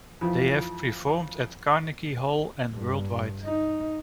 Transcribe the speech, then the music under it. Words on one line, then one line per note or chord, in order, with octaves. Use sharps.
They have performed at Carnegie Hall, and worldwide.
F2 E3 F3
G2
D#4